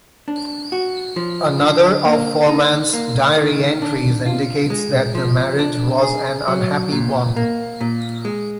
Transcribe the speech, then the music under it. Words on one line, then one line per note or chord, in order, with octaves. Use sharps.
Another of Forman's diary entries indicates that the marriage was an unhappy one.
D4
F#4
F3
D3
A#3
D#4
A#3
D#3
D4
F4
G#3
F3
D4
G#4
F#3
A#2
A#3
A#2
G#3